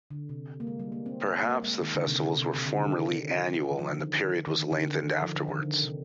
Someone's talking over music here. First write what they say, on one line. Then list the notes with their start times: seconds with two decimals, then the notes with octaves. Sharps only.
Perhaps the festivals were formerly annual and the period was lengthened afterwards.
0.11 D3
0.29 C3
0.60 A#3
0.67 G#3
0.80 G3
0.92 A#3
1.06 C4
1.43 A#3
1.62 G#3
1.81 D#3
1.94 D3
2.07 C3
2.18 D3
2.38 C3
2.56 C3
2.66 D3
2.76 D3
2.85 D#3
3.71 D#3
3.79 F3
3.90 D3
3.99 D#3
4.47 D#3
4.59 D#3
4.71 D3
4.84 D3
5.04 D#3
5.22 F3
5.35 D3
5.48 D#3
5.59 D3
5.83 C3